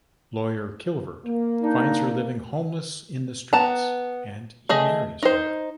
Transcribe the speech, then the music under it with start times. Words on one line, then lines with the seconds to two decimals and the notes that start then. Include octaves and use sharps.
Lawyer Kilvert finds her living homeless in the streets and he marries her.
1.26 A#3
1.62 D4 D#4
3.53 B3 A5 A#5
4.69 A3 G#4 D#5
5.23 D#4 C5